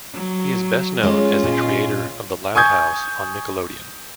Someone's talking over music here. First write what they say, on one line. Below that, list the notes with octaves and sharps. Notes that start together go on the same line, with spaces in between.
He is best known as the creator of "The Loud House" on Nickelodeon.
F#3
G#3 C#4 F4 C#5
A#2 G#4 D#5
G#5 C#6 D#6 G6 G#6